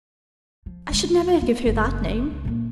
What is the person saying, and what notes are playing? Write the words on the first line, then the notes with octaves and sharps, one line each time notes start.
I should never give her that name.
F3
D2 G#3
B3
F#1 E3
C#2
A#2 A#3